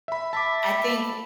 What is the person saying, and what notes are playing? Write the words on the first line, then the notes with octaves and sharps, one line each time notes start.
I think
E5 B5
E5 A5 B5 D6